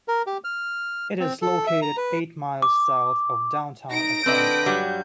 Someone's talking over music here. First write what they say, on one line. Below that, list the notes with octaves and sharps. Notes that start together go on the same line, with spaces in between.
It is located eight miles south of downtown Atlanta.
A#4
G4
F6
C4
A4
E5
A#5
B4
D6
D#4 A#6 D7
D3 C4 D4 B4 D#5 G6
G2 F#3 G3